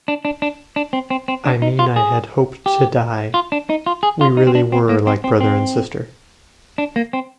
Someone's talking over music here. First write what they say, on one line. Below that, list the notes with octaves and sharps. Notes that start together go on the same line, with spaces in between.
I mean I had hoped to die... we really were like brother and sister.
D4
D4
D4
D4
C4
C4
C4
D4
D#4
F4
G#4
G4
F4
D4
D#4
F4
G#4
F4
D#4
C4
D4
C4
A#3
C4
C4
C4
D4
A#3
C4